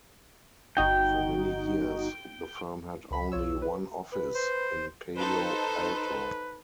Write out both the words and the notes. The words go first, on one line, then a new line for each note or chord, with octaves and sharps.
For many years, the firm had only one office, in Palo Alto.
G1 D#4 F#4 G5
C#2 B5 B6
B1 F4 C#5 E6
B4
B4
C5
D#4 A4 B4 C5